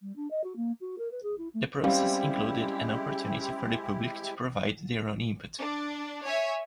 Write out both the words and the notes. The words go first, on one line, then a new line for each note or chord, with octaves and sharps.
The process included an opportunity for the public to provide their own input.
G3
D4
D#5
F#4
A#3
F#4
A#4
B4
G#4
E4
A3
G3 G#3 C4 C#4 E4 G4 F5
D4
C#5 E5 G#5